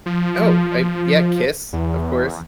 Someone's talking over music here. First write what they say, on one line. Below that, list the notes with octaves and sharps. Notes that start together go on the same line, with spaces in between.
Oh, I yeah, Kiss, of course.
F3
E2